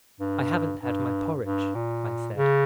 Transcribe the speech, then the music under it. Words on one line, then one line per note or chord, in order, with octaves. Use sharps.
"I haven't had my porridge," I said.
G2
G2
G2
A#2
C#3